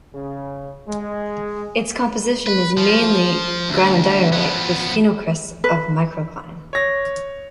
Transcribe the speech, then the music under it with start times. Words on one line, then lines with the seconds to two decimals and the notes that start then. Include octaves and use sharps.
Its composition is mainly granodiorite with phenocrysts of microcline.
0.14 C#3
0.88 G#3
2.47 B4
2.77 F3
3.69 D2
4.33 F3 B3
5.64 B4
6.73 C#5 A#6